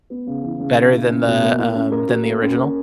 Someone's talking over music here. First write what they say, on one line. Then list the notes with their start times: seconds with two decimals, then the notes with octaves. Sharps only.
Better than the, um, than the original?
0.10 B3
0.27 C#3
0.43 E3
0.60 C#3
0.76 B3
0.93 E4
1.09 C#4
1.25 B2
1.42 A#3
1.59 E4
1.75 C#4
1.92 A#4
2.08 F#4
2.24 A#3
2.41 C#4
2.57 A#4